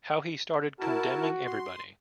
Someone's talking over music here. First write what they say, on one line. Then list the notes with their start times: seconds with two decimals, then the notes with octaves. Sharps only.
How he started condemning everybody.
0.80 E4 F#4 A#4 A5
1.46 C6